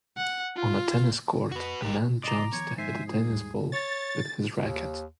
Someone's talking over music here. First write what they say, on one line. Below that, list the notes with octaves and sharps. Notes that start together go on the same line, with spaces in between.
On a tennis court, a man jumps to hit a tennis ball with his racket.
F#5
F4
F2 F#4 B4
G#1 G4 A#4
G1 B2 D5 D#5 A#5 C6 D6
D#3 F3 B3 C#5 C#6
G#2 C5 E5 G#5 C7
G#4
D#2 G3
C#5 A6
D#2